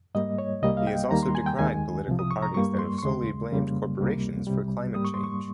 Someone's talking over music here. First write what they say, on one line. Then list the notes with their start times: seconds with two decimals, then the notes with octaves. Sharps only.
He has also decried political parties that have solely blamed corporations for climate change.
0.15 G#2 G3 A#3 D#5
0.38 C#5
0.62 C2 C3 G3 A#3 D#5
0.77 F5
0.87 G5
1.11 D#2 D#3 G3 A#3 A#5
1.23 C6
1.35 G#5
1.46 G5
1.59 D#2 D#3 G#3 G#5
2.07 C2 C3 F3
2.19 D#6
2.31 C#6
2.43 A#5
2.54 G2 G3 A#3 C#6
2.79 C6
2.98 C#6
3.03 D#2 C#3 G#3 C6
3.51 F2 C#3 G3 A#3
3.99 C#2 C3 G3 A#3
4.47 C2 C3 G3
4.95 G#2 G3 A#3 D#6
5.05 C#6
5.14 C6
5.24 C#6